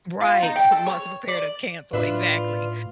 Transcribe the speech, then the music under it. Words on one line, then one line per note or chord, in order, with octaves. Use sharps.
Right. pro months are prepared to cancel. Exactly.
F4
D#4
G5
A4
C#5
D5
A2 D4 F4 B4 E5